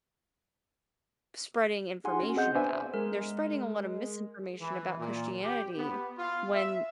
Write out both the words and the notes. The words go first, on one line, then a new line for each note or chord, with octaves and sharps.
spreading information about. They're spreading a lot of misinformation about Christianity when
D#4 G4 G#4 F#5 G#5 C6
C#4 F#4
C4 G#4 D#5 F#5 G6
B3 D4 B4 C5 E5 G#5
G#3 A#4
E3
A#2
G4
B3
F4
E5